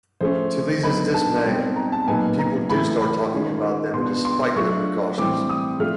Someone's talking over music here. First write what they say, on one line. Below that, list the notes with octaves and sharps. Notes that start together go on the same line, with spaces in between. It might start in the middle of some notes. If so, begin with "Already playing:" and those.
To Liza's dismay, people do start talking about them despite their precautions.
F3 A3 C#4 C5
D3 F#3 B3 D#4 B5
A5
B2 G3 C4 D#4
A#5
A5
A#2 F#3 B3 D#4 G#5
A#5
A2 E3 A3 B5
B5
D#3 G#3 C#4 F4
B2 G#3 B3 D4 F4 C6
C6
F#3 A3 D4 F4 C#6
A2 E3 G3 C4 D6
D#6
F3 A3 D4 F4 F6